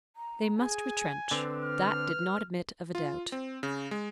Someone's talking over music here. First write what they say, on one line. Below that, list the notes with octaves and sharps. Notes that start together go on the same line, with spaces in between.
They must retrench; that did not admit of a doubt.
A#5
G#4 G#5
D3 C4 B4
F6
F4
C4
C#3
G#3